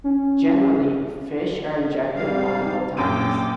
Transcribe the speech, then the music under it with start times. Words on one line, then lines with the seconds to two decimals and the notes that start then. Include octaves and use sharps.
Generally, fish are injected multiple times.
0.04 C#4
2.16 G#2 G3 F5
2.97 A#1 F#2 G5 D6 D#7